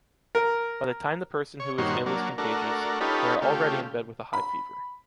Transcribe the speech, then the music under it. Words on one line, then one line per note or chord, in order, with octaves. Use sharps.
By the time the person who is ill is contagious, they are already in bed with a high fever.
A#4
C#5
G2 A#2 D#3 F#4 C5 C#5
F#3 A#3 D4
A3 D4 F#4 A#4
C#4 D#4 F4 G4 A4 B4
C#3 A3 F4 G4
B5